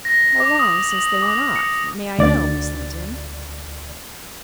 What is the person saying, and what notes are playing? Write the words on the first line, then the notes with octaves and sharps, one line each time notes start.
"How long since they went off--may I know, Miss Linton?"
A#6
D6
D#6
F#7
D6
C#7
D2 D5 A6